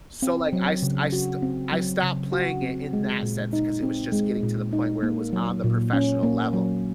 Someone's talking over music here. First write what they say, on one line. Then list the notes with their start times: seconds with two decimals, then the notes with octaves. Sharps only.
So like I st I st I stop playing it in that sense 'cause it was just getting to the point where it was on the professional level.
0.22 C4
0.53 F#3
0.82 C#3
1.13 F#4
1.42 C4
1.72 F#3
2.03 C#3
2.32 F#4
2.62 C4
2.93 G#3
3.23 A#2
3.53 D#4
3.83 C4
4.12 G#3
4.43 A#2
4.73 D#4
5.03 A#3
5.33 F#3
5.64 A#2
5.93 C#4
6.23 A#3
6.53 F#3